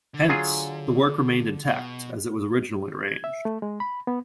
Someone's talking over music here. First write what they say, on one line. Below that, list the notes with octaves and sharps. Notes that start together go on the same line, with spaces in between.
Hence, the work remained intact as it was originally arranged.
D3
F#3 F4 G#4
B2
G#6
E5
A3
G#3
B5
B3